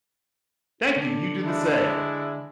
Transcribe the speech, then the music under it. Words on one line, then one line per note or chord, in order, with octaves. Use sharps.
Thank you, you do the same.
D3
G#3 D4 E4